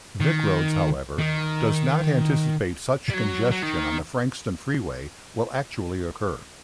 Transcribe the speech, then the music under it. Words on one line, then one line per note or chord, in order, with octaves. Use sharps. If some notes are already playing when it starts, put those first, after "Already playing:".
Vicroads however does not anticipate such congestion on the Frankston Freeway will actually occur.
D#3
D#3
G3
F#3
F#3
D#3